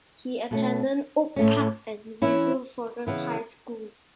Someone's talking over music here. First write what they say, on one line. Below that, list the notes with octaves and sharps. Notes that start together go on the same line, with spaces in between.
He attended Oak Park and River Forest High School.
B2 A3 C#4
A2 A3 C#4
E3 C#4 E4
C#3 E3 B3 E4